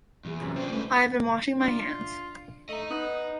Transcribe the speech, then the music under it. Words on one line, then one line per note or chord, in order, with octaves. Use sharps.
I have been washing my hands.
E2 A#2 G#4
F#2 C3
C#3 D4 C5 G5
D2 G#3 A3 C#4 B4 C5
D4 F4
A3 D#5 A#5
B3 D#4